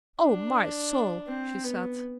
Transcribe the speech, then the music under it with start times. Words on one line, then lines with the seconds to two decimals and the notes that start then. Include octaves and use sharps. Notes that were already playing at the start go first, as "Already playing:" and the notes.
"O! my soul!" she said.
0.21 D4
1.28 C4
1.64 B3